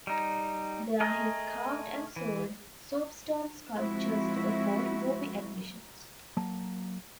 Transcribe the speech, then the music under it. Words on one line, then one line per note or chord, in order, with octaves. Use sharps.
There he carved and sold soapstone sculptures to afford movie admissions.
G3 D#4
A3 G#4 A#4 D#5
E3
F3 G#3 C4 E4 F#4
F#3 A#3 A5